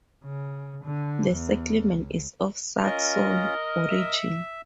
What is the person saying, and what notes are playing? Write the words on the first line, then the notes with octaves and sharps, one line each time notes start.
The settlement is of Saxon origin.
C#3
D3
E2
C#2
C#4 F4 A#4 D#5
E5